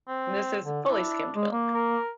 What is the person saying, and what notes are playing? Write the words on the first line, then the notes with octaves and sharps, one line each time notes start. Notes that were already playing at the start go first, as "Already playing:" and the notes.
This is fully skimmed milk.
C4
D3
D4 E4
G#3
A#3
A#4